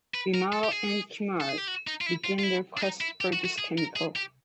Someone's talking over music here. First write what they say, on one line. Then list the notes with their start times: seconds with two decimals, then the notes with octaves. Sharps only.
Bimal and Kumar begin their quest for this chemical.
0.14 B4
0.34 A#4
0.53 A4
0.64 G4
0.71 G#4
1.41 A4
1.49 G#4
1.58 G4
1.68 F#4
1.87 D#4
2.01 F4
2.06 E4
2.24 F4
2.39 F4
2.43 E4
2.77 D4
2.81 D#4
3.01 E4
3.21 G4
3.33 F#4
3.45 F#4
3.58 G#4
3.78 A#4
3.96 G#4
4.16 G4